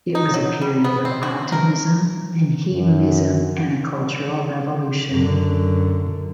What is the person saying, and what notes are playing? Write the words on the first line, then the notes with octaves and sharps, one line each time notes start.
It was a period of optimism and hedonism, and a cultural revolution.
D#4
F#3
G3
B3
C4
F#4
A#4
F#2
F#2 D3